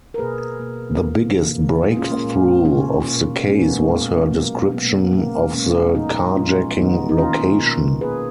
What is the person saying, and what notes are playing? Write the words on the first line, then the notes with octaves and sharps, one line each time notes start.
The biggest breakthrough of the case was her description of the carjacking location.
A#4
B2 A#3 G#4 B4
B2 A#3
B2 A#3
B2 A#3
A#2 G#3 F4 G#4
C#4 F4
A#3 C#4
A#2 G#3
B2 A#3 C#4 F4
B2 A#3
A#2 G#3 A#3 C#4
B3
A#3
A#2 G#3
B2 F#3 A#3
B2 F#3 A#3 B3
A#3
B3
B2 G#3 A#3 C#4
B2 G#3 A#3 C#4
A#2 F3 G#3 B3 D#4
A#2 F3 G#3 C#4 F4
D#3 A#3 B3 D#4
D#4
D#3 A#3 C#4 F4
B2 A#3
B2 A#3 G#4 B4